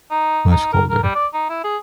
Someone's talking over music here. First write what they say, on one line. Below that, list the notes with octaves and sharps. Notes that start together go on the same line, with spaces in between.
Much colder.
D#4
D#4
A#4
A#4
G3
D5
D#4
E4
G#4